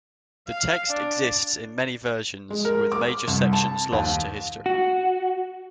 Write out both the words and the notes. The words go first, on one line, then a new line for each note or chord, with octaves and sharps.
The text exists in many versions, with major sections lost to history.
F5
D4
G#3
A#4
D6
C2
A5
D#2
F#4